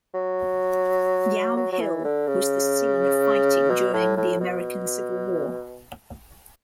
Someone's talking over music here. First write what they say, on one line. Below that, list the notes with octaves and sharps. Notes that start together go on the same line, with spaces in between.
Yow Hill was the scene of fighting during the American Civil War.
F#3
F#3
F#3
E3
D3
C#3
B2
A2
A2
B2